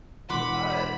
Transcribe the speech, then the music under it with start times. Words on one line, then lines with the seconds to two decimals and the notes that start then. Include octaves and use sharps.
uh, it
0.30 E1 F#5 B5 C6 D6